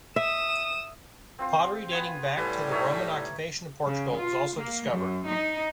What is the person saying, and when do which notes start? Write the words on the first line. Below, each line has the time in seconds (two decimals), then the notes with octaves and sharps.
Pottery dating back to the Roman occupation of Portugal was also discovered.
0.16 E5 D#6 E7
1.39 C4 F4 C5
1.91 B3 F4 G#5
2.37 A2 G3 B4 G#5
2.71 D#4 C#5 E5
3.87 C#3
4.17 F4
4.58 A#3
4.91 F#2
5.28 D#4